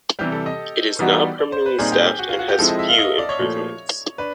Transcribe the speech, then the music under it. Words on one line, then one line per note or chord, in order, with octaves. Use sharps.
It is not permanently staffed and has few improvements.
C3 E3 G3 G4
A4
D#5
E3 G3 B3 D#4 F#4 D5
D5
C5
B4
A#2 G3 C4 D#4 G#4
G4
G4
F#4
F4
F#4
G4
F3 G#3 C4 E4 A4
D#5
E5
F5
D#5
D5
C#5
A#2 F3 A3
D4 B4